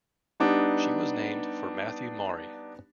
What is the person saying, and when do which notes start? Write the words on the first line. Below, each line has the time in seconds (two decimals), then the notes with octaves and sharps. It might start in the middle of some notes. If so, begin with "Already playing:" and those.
She was named for Matthew Maury.
0.40 G3 B3 D4 D#4